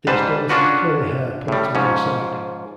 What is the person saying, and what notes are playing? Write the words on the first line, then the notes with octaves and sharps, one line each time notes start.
These dolls had curly hair pulled to one side.
G#2 G3 B4 C5 A5
C#4 D4 F4 F#4 B4
A2 G3
G#2 F3 C#4